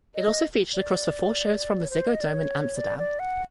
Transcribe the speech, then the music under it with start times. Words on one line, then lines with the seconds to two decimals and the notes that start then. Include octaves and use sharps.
It also featured across the four shows from the Ziggo Dome in Amsterdam.
0.15 D#5
0.73 D5
1.84 C#5
1.90 C5
2.08 D#5
2.21 D5
2.33 C#5
2.76 D5
2.98 D5
3.19 F#5